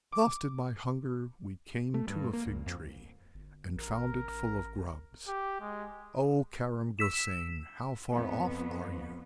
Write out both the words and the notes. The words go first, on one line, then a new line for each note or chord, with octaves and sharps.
"Exhausted by hunger we came to a fig-tree, And found it full of grubs, O Karam Gosain, how far off are you?"
D6
A3
G2
A#3
C#2
F2
G1
A1 A#4
G4
G#3
E6 B6 E7
F2 B3